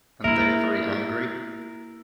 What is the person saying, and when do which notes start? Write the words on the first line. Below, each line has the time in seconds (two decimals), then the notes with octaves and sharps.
And they are very angry?
0.24 A#3 E4 A#4 E5